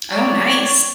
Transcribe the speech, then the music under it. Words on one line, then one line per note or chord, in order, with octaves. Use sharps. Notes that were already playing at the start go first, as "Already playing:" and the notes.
Oh, nice.
C#5 D5 C#6